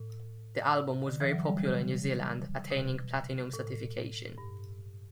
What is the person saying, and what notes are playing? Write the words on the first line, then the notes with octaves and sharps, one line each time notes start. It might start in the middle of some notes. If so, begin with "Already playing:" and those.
The album was very popular in New Zealand, attaining platinum certification.
Already playing: A2
D3
E3
F#3
G3
C#3
B2
A2
G2